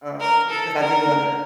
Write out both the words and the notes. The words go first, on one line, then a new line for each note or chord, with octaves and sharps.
um, because I do wanna
A#4
A4
A#4